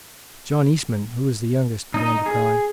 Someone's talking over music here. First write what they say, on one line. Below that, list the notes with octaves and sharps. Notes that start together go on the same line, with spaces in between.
John Eastman, who was the youngest, began to cry.
D#4 D#5
G#4